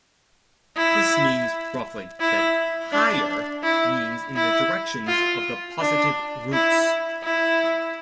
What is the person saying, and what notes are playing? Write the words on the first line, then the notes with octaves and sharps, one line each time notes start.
This means, roughly, that "higher" means in the directions of the positive roots.
E4
E4
D4
E4
E4
F4
D4
E4
E4